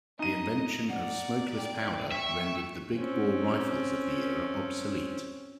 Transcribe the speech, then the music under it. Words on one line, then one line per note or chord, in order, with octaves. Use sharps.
The invention of smokeless powder rendered the big bore rifles of the era obsolete.
D#4 D#5 D#7
D5 F#5
G5
E5 C#6
C4 C#4